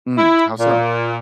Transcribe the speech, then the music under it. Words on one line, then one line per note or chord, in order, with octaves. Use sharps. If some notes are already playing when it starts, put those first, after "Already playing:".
Hmm, how so?
E4
A#2